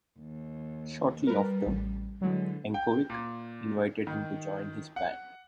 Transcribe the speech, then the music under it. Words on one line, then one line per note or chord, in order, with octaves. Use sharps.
Shortly after, Yankovic invited him to join his band.
D#2
G3 A#4 B4
A1
D3 E3 F#3 G#3
G5
A#2
D#3
F#5